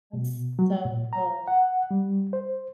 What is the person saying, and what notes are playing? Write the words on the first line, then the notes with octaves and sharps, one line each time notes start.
That's so cool.
B2
F#3
A#2
A#5
F#5
G3
C5